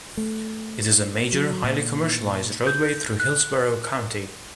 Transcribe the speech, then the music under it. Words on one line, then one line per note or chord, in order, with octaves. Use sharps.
It is a major, highly commercialized roadway through Hillsborough County.
A3
F#3
A#2
G6
F#6